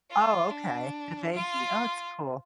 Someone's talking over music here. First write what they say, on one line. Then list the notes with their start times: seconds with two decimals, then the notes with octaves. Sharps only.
Oh okay, "Dhivehi," oh it's cool.
0.11 F4
0.51 D4
1.33 F4